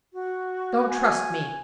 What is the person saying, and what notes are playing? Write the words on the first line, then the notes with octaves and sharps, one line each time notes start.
"Don't trust me!"
F#4
G#5